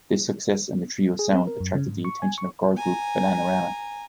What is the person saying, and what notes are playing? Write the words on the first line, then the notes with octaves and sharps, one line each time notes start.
This success and the trio's sound attracted the attention of girl group Bananarama.
G#4
C4
A#4
F#2
C#3
G#2
C#6
G#5
C#6
G#5 A#5